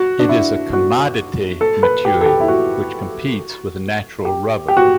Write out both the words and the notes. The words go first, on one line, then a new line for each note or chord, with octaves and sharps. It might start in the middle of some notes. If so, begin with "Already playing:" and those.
It is a commodity material which competes with natural rubber.
Already playing: F#4
D4
E4
F#4
A4
B4
G4
A4
G4
E4
F#4
G4
G4
F#4